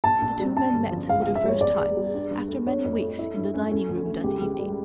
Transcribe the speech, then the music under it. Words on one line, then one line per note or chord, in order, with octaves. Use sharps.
The two men met for the first time after many weeks in the dining-room that evening.
A#1 A5
A#1
G3
C#4 A5
G1
F3
C#2 F5
F5
C#2
E5
G3 C#5
E2 D5
E2
G3
G2
G2
A3
D4 C#5
F2
A3
E4
G2
C#4
C#4 A4
D2
A3
C#2 G4
C#2
G3